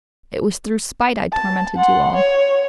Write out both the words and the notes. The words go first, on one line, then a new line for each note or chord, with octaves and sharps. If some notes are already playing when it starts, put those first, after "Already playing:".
It was through spite I tormented you all.
A5
F#5 C6
C#5